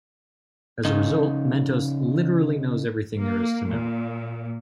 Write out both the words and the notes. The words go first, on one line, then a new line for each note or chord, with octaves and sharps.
As a result, Mentos literally knows everything there is to know.
C#3 D#4
A#3
A#2